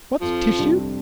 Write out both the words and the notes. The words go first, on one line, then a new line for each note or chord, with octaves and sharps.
"What's tissue?"
F2 F3
C3 G3 D4 G4